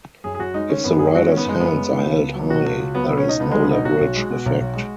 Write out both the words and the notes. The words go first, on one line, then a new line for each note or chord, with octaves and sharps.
If the rider's hands are held high, there is no leverage effect.
F#2 G#4
G#4
F#2 F#4
G#3 D#4
D#3 C#4
F#2 B3
F#2 G#4
G#3 F#4
D#3 C#4
B3
F#2 G#3
F#2 B3
G#3
D#3
C#2
C#2
F#3
B2 F#4
C#2
C#2
F#3 B3
B2 B3
C#4
C#2 D#4
C#2 B3
F#3 G#3
B3
B2 D#4
B1 F#4
B1
G#3
B2
B1
B1
G#3